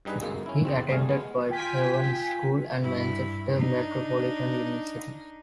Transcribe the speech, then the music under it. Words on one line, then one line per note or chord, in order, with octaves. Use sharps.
He attended Whitehaven School and Manchester Metropolitan University.
G2 G3 D#4 G#4 B4
G1 F#2 G#3 A#3
C#4 E4
E2 C#3 C4
G1 G3 A3 G#4 F5
G#3 B3
F4 G5 G#5 B6
G2 E4
D4 D#4